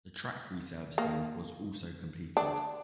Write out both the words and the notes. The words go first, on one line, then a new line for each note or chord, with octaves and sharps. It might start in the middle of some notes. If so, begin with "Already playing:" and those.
The track resurfacing was also completed.
A#3
D4